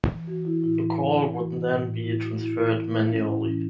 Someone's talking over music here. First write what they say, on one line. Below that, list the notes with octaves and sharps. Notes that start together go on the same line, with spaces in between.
The call would then be transferred manually.
E3
E3 F#4
E3 E4
A2 E4
E3
E3
E3
E3 F#4
E3 F#4
A2
A2
A2 E4
A2 F#4
A2 E4
E3
E4
E3 E4
A2 E4
A2 C#4
A2 E4
E3 C#4